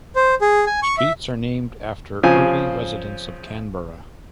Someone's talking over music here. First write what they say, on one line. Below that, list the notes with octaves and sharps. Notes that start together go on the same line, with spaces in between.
Streets are named after early residents of Canberra.
C5
G#4
G#5
C#6
E5
C#3 F3 C4 G#5